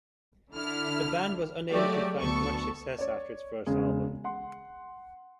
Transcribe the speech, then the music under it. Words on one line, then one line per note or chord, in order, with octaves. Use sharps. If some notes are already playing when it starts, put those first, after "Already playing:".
The band was unable to find much success after its first album.
D3 D4 E4 F6
F#3 G#3 A3 F#4 G4 D5
D2 B3 A4 A5 C#6
C#5 D5
E1 C#3 G#3 G#4
F#5 C6